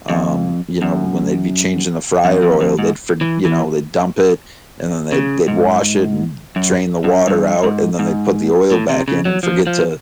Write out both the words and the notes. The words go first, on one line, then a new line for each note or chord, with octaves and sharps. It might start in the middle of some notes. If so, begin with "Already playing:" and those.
um, you know, when they'd be changing the fryer oil, they'd forg you know, they dump it and then they they'd wash it and drain the water out, and then they put the oil back in and forget to
F2
F#2
F2
F2
F2
G#2
E3
E3
C#3
G#2
F#2
F#2
G2
G#2
G#2
A2
C3
C#3
F#3
F3
F3